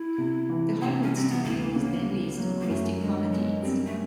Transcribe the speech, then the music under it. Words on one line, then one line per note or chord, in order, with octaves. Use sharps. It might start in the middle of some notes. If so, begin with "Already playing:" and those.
The Hollywood studio was then leased to Christie Comedies.
Already playing: E4
C3
E3
C3 A#3
C#4
G3 C4
B3
D2 A#3
C#3
B3
F#3
A#3
F#2 A3
D3 G#3
G#3 B3
G3 C4
A3